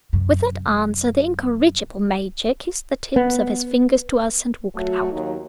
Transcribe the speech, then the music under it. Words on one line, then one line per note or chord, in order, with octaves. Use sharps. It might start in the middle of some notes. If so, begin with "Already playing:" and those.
With that answer the incorrigible Major kissed the tips of his fingers to us and walked out.
F#2 C3
B3
F#3 A3 F#4
D#2 F#3 D#4